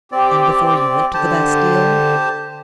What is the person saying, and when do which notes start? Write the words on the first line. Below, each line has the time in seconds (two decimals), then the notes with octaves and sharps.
"And before you went to the Bastile?"
0.12 C4 G4 D5
1.14 D3 G4 C5 A5